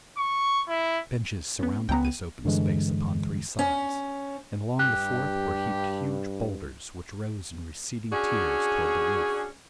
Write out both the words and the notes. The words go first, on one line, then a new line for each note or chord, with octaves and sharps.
Benches surrounded this open space upon three sides, and along the fourth were heaped huge bowlders which rose in receding tiers toward the roof.
C#6
E4
B3 C#4
C#2 A3 B3 G5 G#5 A#5
D#7
G2 D3 E3 G#3
C#4
G2 G4 F#6
C#4 D4 F#4 G#4